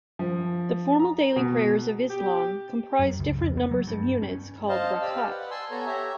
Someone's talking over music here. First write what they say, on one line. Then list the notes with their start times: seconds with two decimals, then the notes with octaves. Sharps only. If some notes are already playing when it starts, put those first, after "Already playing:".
The formal daily prayers of Islam comprise different numbers of units, called "rak'at".
0.19 F3
0.99 A#5
1.36 B2
2.10 G4
2.99 F#2
3.19 C#2
3.38 F2
3.57 B3
3.71 F#3
3.87 G2
4.22 C#4
4.69 C5 D#5 F5 A5
5.01 G4 D5 F5 E6
5.30 B4 F#5
5.51 G#5 A5 C6 E6
5.71 B3 A4 C#5 A5 A#5
5.86 G4 C#5 E5 A#5